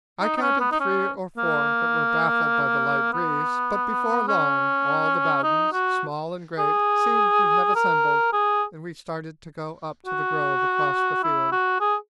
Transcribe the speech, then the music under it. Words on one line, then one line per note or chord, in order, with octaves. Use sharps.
I counted three or four that were baffled by the light breeze, but before long all the Bowdens, small and great, seemed to have assembled, and we started to go up to the grove across the field.
D#4
D#4
C#4
B3
D#4
C#4
A#3
B3
C#4
D#4
F#4
G#4
A#4
G#4
F#4
E4
F#4
G#4